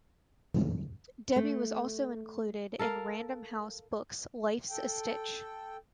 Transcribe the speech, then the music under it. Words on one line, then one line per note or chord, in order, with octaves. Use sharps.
Debi was also included in Random House books' Life's a Stitch.
A3
A4 A#4 F5
A4 G5